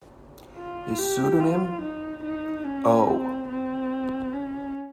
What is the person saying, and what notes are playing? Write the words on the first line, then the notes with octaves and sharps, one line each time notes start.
His pseudonym Oh!
F4
G4
F4
D#4
D#4
C#4
C4
C4
C#4